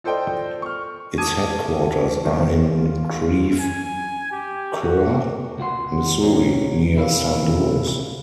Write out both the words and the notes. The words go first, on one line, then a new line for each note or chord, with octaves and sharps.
Its headquarters are in Creve Coeur, Missouri, near Saint Louis.
F4 A4 C5 D5 D#5 G5
C#6 F6
A5 D6 D#6 G#6 D#7
G2 C3 D#3
F4
G#5
G4
F#4
C#2 F#4 F#5 C6
B1 G#4 B4 C#5 A#5
B1 C4 E4 F#4 G4 F5